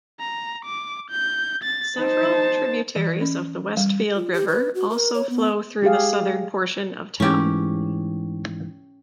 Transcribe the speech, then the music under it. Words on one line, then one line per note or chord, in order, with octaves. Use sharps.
Several tributaries of the Westfield River also flow through the southern portion of town.
A#5
D6
G6
A6
D#4 C5 A5
E3
C#4
G3
F4
G4
B4
F#4
A#4
C#5
B3
G#3 G4 G#4 F5
G#2 E3 A3 C#4 G4